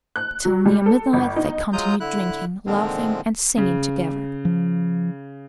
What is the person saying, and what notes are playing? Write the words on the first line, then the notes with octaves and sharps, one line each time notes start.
Till near midnight they continued drinking, laughing, and singing together.
F#6
F#3
G3
A4
G1
D#4
F#3 G#3 F4 A#5 D#6 G6
D3 E4 F#6
A#2 D3 D#3 F3 G#3 C4
C#3
F3